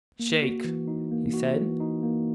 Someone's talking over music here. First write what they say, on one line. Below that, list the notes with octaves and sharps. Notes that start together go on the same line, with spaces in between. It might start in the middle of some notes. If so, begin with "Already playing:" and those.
"Shake!" he said.
A#3
F#4
E3
D#4
A#3
F#4
E3
D#4
A#3